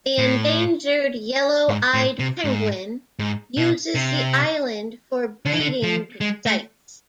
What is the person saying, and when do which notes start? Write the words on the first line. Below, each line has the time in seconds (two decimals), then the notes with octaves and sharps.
The endangered yellow-eyed penguin uses the island for breeding sites.
0.18 A2
1.69 G#2
1.94 A2
2.19 C3
2.45 G#2
3.19 G#2
3.57 B2
3.95 C3
5.45 D3
5.53 E3
5.60 D3
5.83 F3
6.21 G#3
6.46 A3